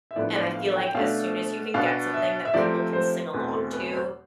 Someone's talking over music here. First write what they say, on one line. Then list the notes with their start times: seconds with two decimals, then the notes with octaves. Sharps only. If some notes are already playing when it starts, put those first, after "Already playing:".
and I feel like, as soon as you can get something that people can sing along to,
0.11 E5
0.16 A2 F3 B3 D4 D5
0.36 D5
0.55 F5
0.76 G5
0.87 G5
0.95 B2 A3 D4 F5
1.74 B2 B3 D4 F5
2.14 E5
2.45 E5
2.54 C3 F3 A3 C4 D5
2.93 C5
3.33 E2 B2 A3 C4 B4
3.53 A4
3.73 B4
3.93 C5